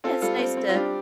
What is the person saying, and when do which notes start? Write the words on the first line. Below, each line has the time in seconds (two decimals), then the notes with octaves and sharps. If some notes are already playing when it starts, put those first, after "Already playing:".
Yeah, it's nice to
0.04 C4 F4 A4
0.22 G3 F4 A4
0.39 C4
0.57 C4
0.69 F4
0.75 G3 D4 G4